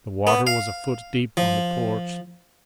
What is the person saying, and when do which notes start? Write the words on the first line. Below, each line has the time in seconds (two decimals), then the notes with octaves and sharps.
The water was a foot deep on the porch.
0.27 B3
0.47 F5
1.37 F3